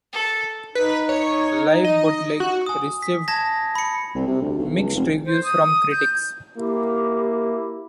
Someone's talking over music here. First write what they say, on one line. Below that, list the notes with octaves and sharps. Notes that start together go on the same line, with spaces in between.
"Live Bootleg" received mixed reviews from critics.
A4
D#4 B4
C#5
D#5
F#4
G#5 D#6
B6
A5 G#6 A#6
B5 C#7
C2
C3
D2
B1
C#2
F1
C5
D#6
G6
A#3 E4 G4